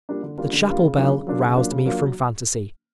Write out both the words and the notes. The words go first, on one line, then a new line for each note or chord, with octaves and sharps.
The chapel-bell roused me from phantasy.
G3 A#3 D4 F4
D3
G3 A#3 D4 F4
D3
G3 A#3 D4 F4
C#3
F#3 A#3 D4 F4
C#3
F#3 A#3 D4 F4
C#3
F#3 A#3 D4 F4
C#3
F#3 A#3 D4 F4
F#3